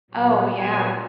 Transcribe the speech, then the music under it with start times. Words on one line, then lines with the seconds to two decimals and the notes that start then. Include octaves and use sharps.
oh, yeah.
0.11 A#2 F#3 B3
0.53 A#2 F#3 B3 G#5